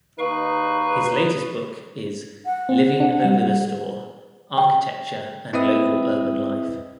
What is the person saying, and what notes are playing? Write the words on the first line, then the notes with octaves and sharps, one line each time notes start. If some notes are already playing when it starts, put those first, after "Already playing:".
His latest book is Living Over the Store: Architecture and Local Urban Life.
D#2 D#4 B4 F5 C#6
F#5
C4
D4
G3
G5
C4 E4 B4 D#5 E5 D#6